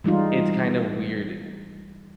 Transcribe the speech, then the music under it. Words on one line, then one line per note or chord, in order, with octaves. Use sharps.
it's kind of weird
E3 G3 G#3 D#4 F4